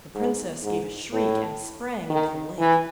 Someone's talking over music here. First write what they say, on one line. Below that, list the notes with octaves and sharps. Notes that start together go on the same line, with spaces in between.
The princess gave a shriek, and sprang into the lake.
G#2
G#2
A2
D#3
E3